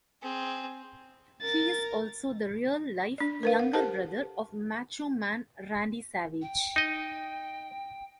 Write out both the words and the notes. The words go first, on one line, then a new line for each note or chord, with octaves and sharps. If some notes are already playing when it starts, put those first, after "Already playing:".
He is also the real-life younger brother of "Macho Man" Randy Savage.
C4 G#4
A#4 A6
D4 D5
A#4 B4 F5
F#5
G4 A4 A#4 C5 F#5 A5
G5
D#4 D#5